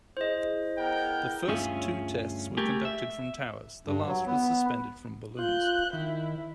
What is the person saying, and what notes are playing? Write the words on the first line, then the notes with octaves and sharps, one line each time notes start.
The first two tests were conducted from towers, the last was suspended from balloons.
E4 G#4 C5 D#5
B3 A#4 G5
D2 G2 C#4 F4 G#4 E5
A3 G4 G#4 A#4
E5
G2
F#3
B3
F4 F#6 G6
D#3 E4